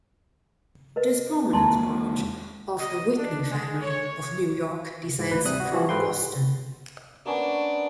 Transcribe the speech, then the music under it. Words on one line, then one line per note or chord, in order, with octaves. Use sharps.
This prominent branch of the Whitney family of New York descends from Boston.
A#4 B4 D#5
E2 G#3 A#3 E4 A5 C6
D#5
D4
G#3
C#5
G#2
D2 B4
C3 G3 D#6 F#6
F#4
E3 F3 F#4 G4
G#2 A4 B4 G5 C6
A#3 B3 C#4 D4